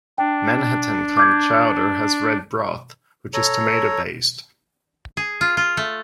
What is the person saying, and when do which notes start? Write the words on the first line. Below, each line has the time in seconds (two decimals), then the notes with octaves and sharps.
Manhattan clam chowder has red broth, which is tomato-based.
0.18 D4 G5
1.17 D6 G6 G#6
3.34 A4 C#5 A#5
5.17 G#4
5.41 F4
5.57 F4
5.77 A3